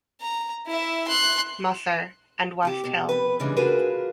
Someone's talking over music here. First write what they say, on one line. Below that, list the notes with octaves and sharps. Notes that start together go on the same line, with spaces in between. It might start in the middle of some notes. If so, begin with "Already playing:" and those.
Musser, and West Hill.
A#5
E4 E5
C6 F#6
C4 F#4 G4
B2
F2 B4
A#2 C#3 E3 G3 G#3 D4
D4 F4 F#4 G#4 A#4 B4